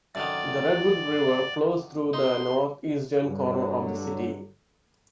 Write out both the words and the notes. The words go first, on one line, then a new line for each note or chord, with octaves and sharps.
The Redwood River flows through the northeastern corner of the city.
F#2 D3 D#3 D5
D#4 C6
G2 D3 F#3